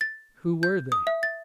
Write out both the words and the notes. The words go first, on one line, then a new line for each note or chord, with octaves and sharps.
Who were they?
A6
G6
D#6
E5
A6